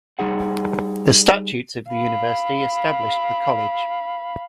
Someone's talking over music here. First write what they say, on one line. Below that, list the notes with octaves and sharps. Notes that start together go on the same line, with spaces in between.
The statutes of the university established the college.
G3 D#4 G#4 F#5
F5 B5